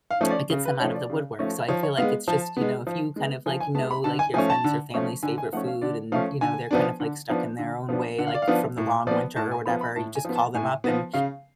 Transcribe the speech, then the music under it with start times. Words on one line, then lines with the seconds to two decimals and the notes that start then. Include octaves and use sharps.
it get them out of the woodwork, so I feel like it's just, you know, if you kind of like know, like, your friends or family's favorite food and, you know, they're kind of like stuck in their own way, like, from the long winter or whatever, you just call them up and
0.11 F5
0.21 F3 A3 C#4
0.31 D5
0.50 C#3
0.65 B4
0.80 F3 A3 C#4 C#5
0.95 D5
1.10 C#3
1.39 F3 A3 C#4
1.68 F3 C#5
1.83 C#5
1.97 G#3 B3 F5
2.28 F3 A5
2.57 G#3 B3
2.87 F3
3.16 G#3 B3
3.46 F3 G#5
3.60 G#5
3.75 B3 A5
3.78 G#3
3.91 B5
4.04 D3 A5
4.19 G#5
4.34 F3 A3 C#4 G#5
4.50 A5
4.64 D3
4.94 F3 A3 C#4
5.23 D3 G#5
5.38 G#5
5.53 F3 A3 C#4 F#5
5.67 F5
5.82 D3 D5
6.12 F3 A3 C#4 F5
6.41 D3 G#5
6.71 F3 B3 D4
7.00 D3
7.30 F3 B3 D4
7.59 D3
7.89 F3 B3 D4
8.18 D3 F#5
8.27 F5
8.35 D5
8.42 F5
8.48 F3 B3 D4
8.77 A2
9.07 F3 D5
9.11 B3
9.36 A2 A5
9.51 G#5
9.66 F3 B3 B5
9.81 B5
9.96 A2 A5
10.15 G#5
10.25 F3 B3
10.36 A5
10.54 A2 G#5
10.84 F3 B3
11.14 C#3 F5